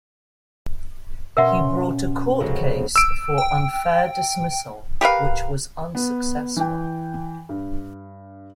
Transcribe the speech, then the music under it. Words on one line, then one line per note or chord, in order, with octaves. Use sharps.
He brought a court case for unfair dismissal, which was unsuccessful.
B2 C#4 A#4 E5 F#5 C6
F1 C#2 F#4
E6 D7
G5
G4 A#4 B4 F5
B3
E3 G5
G2